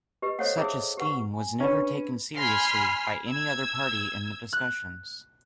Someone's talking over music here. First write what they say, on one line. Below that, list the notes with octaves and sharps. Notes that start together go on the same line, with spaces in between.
Such a scheme was never taken seriously by any other party in the discussions.
G4 B4 D#5
A4 C5 C#5 D#5 F5 F#5
D#4 G#4 E5 D#6 E6
G4 B4 F#5 C#6
G#5
C#4 D4 B4 B5
G#5 B5 C6 F6 C7
E6 G#6
F#6